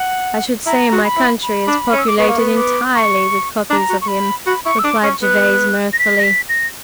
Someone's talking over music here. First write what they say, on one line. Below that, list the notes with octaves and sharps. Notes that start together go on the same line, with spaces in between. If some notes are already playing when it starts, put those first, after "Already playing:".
"I should say my country is populated entirely with copies of him," replied Gervase, mirthfully.
Already playing: F#5
E4 A#5
F#4
B5
E4
B5
D4
C#4
E6
D6
B3 C#6
A#3
B3
D6
C#6
D4 A#5
F#4
C#6
B5
F#4 B5
E4 C#6
E6
D4 D6
C#4 C#6
B3 F#6
A#6
B6
A#6
B6
A#6